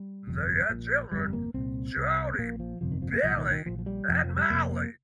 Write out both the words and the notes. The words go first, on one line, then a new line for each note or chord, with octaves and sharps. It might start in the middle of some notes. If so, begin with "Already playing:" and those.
They had children Jody, Billy and Molly.
Already playing: G3
G1 F2 C3
A#1 A#2
G1 F2 C3 G3
A#3
C2 A#2 C4
C2 C3
C4
A#1 A#2 A#3
F3
G1 F2 C3 F3
D#3
F3
A#3
C2 A#2 F3
D#3
D#3
A#1 A#2 F3
F3
G3
F1 F2 C3 F3
F3
G3
F1 F2 C3 A#3
A#3